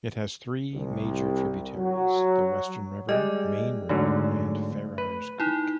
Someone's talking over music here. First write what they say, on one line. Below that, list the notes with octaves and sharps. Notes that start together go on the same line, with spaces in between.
It has three major tributaries the Western River, Mayne River and Farrars Creek.
C2
F#3
G3 G#3 D#5
G#2 D3 F#3 A3
B4
D#4 E4